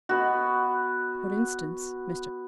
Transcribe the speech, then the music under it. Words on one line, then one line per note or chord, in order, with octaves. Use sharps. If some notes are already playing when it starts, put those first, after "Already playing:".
For instance--Mr.
B3 F#4